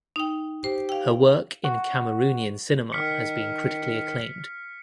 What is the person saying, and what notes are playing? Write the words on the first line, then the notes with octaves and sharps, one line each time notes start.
Her work in Cameroonian cinema has been critically acclaimed.
D#4 G5
G4 C5
F5 G5
F#5 C#6
D#3 F6 B6 C#7